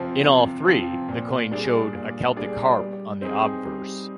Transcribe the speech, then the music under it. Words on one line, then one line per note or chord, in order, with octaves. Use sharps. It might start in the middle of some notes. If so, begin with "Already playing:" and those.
In all three, the coin showed a Celtic harp on the obverse.
Already playing: C3 F3 C4
C3
F3 C4
A#2
G3 D4 G#4 D5
A#2
G3 D4 G#4 D5
G3
C4 D#4 G#4
G3